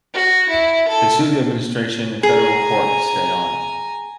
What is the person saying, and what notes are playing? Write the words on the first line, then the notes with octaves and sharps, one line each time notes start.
They sued the administration in federal court to stay on.
F#4
E4
A4
G#4 G#5 A#5